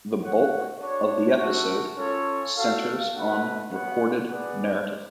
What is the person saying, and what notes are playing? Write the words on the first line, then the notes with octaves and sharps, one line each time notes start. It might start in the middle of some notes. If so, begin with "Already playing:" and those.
The bulk of the episode centres on recorded narrative.
F#4 C#5 F#5
D4 F#4 C#5
A3 C#4 F#4
C#4 F4 A4 C#5
F#4 A4 F5
A3 D4 F#4 B4 F#5
B3 F#4 C#5 F#5
D4 G#4 B4 D5 F#5